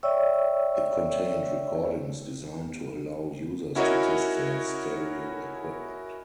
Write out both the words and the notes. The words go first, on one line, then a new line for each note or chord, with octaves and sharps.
It contained recordings designed to allow users to test their stereo equipment.
C#5 D5 E5 G5 C#6 E6
C#4 E4 F#4 A#4 C#5 D#5